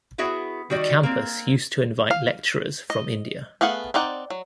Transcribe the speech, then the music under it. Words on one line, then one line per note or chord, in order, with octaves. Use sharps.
The campus used to invite lecturers from India.
B3 E4 F#4 G#4 E5
D#3 G3 F#4 D5
A#3 C4
F5
D#5
A3 B3 G#4 F5 F#5
C4 D#4 D5 F#5
F#3